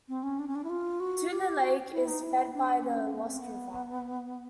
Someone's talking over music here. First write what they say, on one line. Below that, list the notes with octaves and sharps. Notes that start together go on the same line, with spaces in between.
Tule Lake is fed by the Lost River.
C4
C#4
D4
C#4
D4
E4
F4
F#4
G4
F#4
E4
D#4
E4
D4
C#4
B3
C4
B3